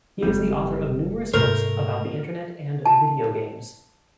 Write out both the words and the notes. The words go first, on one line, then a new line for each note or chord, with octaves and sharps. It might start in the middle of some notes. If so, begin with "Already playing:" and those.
He is the author of numerous books about the Internet and video games.
F#1 F#3 G3 C4
G#2 C3 A3 A#4 C5
A5